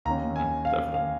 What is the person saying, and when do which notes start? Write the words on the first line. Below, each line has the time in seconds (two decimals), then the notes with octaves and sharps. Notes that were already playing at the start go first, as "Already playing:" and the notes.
Mhm. Definitely.
0.05 D#2 D#3 C#4 A#5
0.36 G#5
0.65 F5
0.94 F5